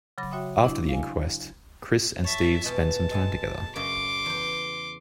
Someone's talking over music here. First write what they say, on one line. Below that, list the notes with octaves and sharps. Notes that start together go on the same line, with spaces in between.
After the inquest Chris and Steve spend some time together.
C#3 F#3 B5 D6 A#6
F#4 C#5 E5 G5 C6 D#6
D4 E4
F5 G#5
C#5 E5 A5
B2 G#3 A5
G#3 A4 G#5
F#2 C#3 D#5 C6 D6
E2 G5